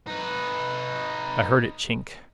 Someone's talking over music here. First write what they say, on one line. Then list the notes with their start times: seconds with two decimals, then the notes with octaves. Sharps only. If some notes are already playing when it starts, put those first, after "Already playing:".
I heard it chink.
0.07 D#4 B4